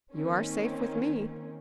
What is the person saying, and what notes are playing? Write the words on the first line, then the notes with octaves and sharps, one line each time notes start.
"You are safe with me."
D#3 A#3 C4 C#4